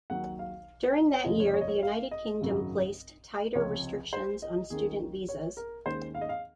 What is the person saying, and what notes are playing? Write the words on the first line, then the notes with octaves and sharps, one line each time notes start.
During that year, the United Kingdom placed tighter restrictions on student visas.
D#2 D#3 F#3 F#5
F5
C#5
F1 D#2 C#3 F3 D#5
C#5
D#5
C#5
D#5
C#5
F5
D#5
G#1 F#2 C#3 F#3
C#2 C3 F3 C4 C#5
C5
D#5
D#2 D#3 A#3 C#4 G#4
C#5
A#4
D#2 D#3 G#3 C#4 C5
F5
D#5
F5